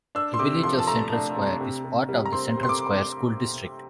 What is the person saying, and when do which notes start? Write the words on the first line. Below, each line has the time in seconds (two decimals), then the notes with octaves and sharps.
The village of Central Square is part of the Central Square School District.
0.15 D4 E6
0.34 C6
0.39 C3 D6
0.63 F3 C6
0.79 A5
0.87 A3 A#5
1.13 D4
1.36 C3
1.60 C3
1.85 C3
2.09 G3
2.26 A#5
2.32 C4 C6
2.57 C3
2.63 C6
2.69 D6